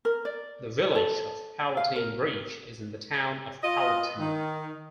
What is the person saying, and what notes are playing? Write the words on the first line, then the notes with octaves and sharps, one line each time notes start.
The Village of Palatine Bridge is in the Town of Palatine.
A#4
D5
A4
F5
A#4
F4 D#5
D#3